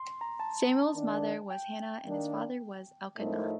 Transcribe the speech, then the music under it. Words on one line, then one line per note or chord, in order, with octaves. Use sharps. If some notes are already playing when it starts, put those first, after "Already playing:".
Samuel's mother was Hannah and his father was Elkanah.
Already playing: C6
A#5
A5
D#3 A#3 D4
G5
D#3 A#3 D4
A2 F3 A3 D#4 A#4